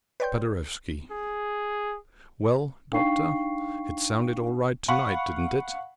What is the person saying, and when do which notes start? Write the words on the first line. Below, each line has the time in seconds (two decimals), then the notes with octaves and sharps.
Paderewski: "Well, 'Doctor,' it sounded all right to-night, didn't it?"
0.20 B4 C#5 D5 G5 C6 G6
1.11 G#4
2.92 D4 D#4 F5 G5 C#6 C7
4.88 F5 F#5 B5 C#6